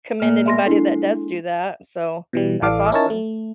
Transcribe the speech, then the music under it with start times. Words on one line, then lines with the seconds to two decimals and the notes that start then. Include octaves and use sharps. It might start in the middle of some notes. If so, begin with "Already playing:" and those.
commend anybody that does do that, so that's awesome.
0.20 A#2 F6
0.46 B2 G#3 E5 C6 A#6
0.66 D4 E4 A4 C6
2.33 B2 E3 G3
2.62 A1 E3 A4 D5 F5 D6
2.92 C#4 D#4 E4 A#4 C#5 A5
3.10 A3